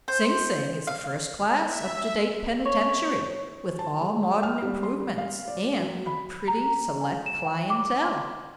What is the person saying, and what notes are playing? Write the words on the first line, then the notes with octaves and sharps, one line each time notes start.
'Sing Sing is a first-class, up-to-date penitentiary, with all modern improvements, and a pretty select clientele.'
C5
F5
E5
C#5
A5
G#3
F6
G3
C6
G3
F5
D5
F#3
B5
A#5
G#5
E7
G5
D6